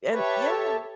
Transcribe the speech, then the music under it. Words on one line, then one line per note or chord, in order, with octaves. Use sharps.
And yeah.
G4 B4 C#5 E5 A5
A4